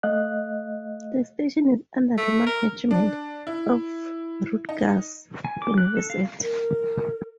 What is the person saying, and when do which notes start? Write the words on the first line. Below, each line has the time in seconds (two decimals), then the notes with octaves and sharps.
The station is under the management of Rutgers University.
0.03 A3 D#5 F5 F#6
2.18 A3
2.47 A#4
2.91 D4
3.47 E4
4.69 D#4
5.45 G#5
5.62 D6
5.78 F#6
5.97 A4
6.10 F5
6.42 A#4